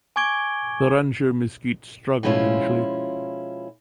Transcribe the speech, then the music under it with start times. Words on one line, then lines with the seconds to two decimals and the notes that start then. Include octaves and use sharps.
The Rancho Mesquite struggled initially.
0.16 G#5 C#6 D6 G#6 D7 G7
2.23 B2 F3 G#3 C#4 E4 F4